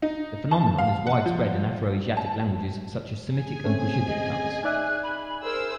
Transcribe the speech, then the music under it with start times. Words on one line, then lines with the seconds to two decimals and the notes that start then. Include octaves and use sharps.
The phenomenon is widespread in Afroasiatic languages such as Semitic and Cushitic tongues.
0.02 D#4
0.51 A5
0.78 F5
1.07 F#5
1.26 F3
2.17 A5
3.34 G#4 G#5
3.65 A3 C4 C#4
4.07 D#5
4.64 D#4 D5 E5 F#6
5.03 B5
5.44 G#4 A#4 C5 E6